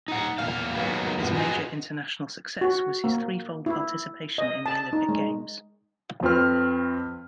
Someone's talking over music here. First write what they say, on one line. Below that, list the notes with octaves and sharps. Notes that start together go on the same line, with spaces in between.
His major international success was his threefold participation in the Olympic Games.
D#4 F#5
E2 A#2 F5
D#3 F#3 G#3 A#3 B3
G2 B2 F3 B3
F4 F#4 G#4 B4 D5 D#5
F#4
A#3
E4
D#5
A5
D#4
G#3
F2 C4 F4 B4 F6